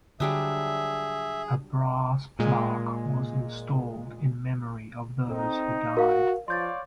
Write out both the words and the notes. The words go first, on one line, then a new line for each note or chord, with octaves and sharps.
A brass plaque was installed in memory of those who died.
D3 F#3 G3 D4 G#4 E5
A#2 G#3
C4 D#4 A4
F#4 A#4 F5
F3 C#5 D5 F5 C6 G6 A6